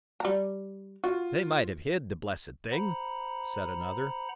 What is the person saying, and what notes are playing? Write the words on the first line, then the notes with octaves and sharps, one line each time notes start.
"They might have hid the blessed thing," said another.
G3 A#5
F4 F#4
C5 F#5 A#5 B5